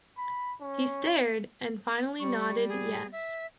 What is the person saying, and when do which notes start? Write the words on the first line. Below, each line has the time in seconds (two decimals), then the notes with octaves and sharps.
He stared, and finally nodded yes.
0.18 B5
0.61 C#4
2.20 G3 C#6
2.68 G#4
3.12 E5